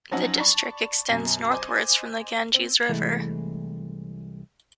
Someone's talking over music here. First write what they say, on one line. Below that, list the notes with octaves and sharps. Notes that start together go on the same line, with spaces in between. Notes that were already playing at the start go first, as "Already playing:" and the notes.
The district extends northwards from the Ganges river.
F3 F#3 C4 C#4 D#4 F#4
D5 A5 B5 C#6
F#2 B2
C5 D#5 G#5 D6
C4
C2 E3 G#3 A3